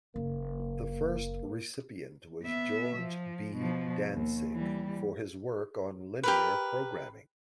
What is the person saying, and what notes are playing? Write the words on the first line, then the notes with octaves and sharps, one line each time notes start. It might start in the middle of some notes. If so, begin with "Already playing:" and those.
The first recipient was George B. Dantzig for his work on linear programming.
F#1 A#3
B3 E5
F3
B2 F3
D#2
E3 G3
G4 A#4 B4